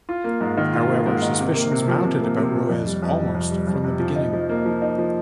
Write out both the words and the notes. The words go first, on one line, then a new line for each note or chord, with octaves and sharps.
However, suspicions mounted about Ruiz almost from the beginning.
F4
A#3
G#2
D#3
F4
A#3
G#2
D#3
C3
A#3
C3
F3
C3
A#3
C3
F3
F2
G3
F2
C3
F2
G3
F2
C3
F3
D#4
F3
A#3
F3
D#4
F3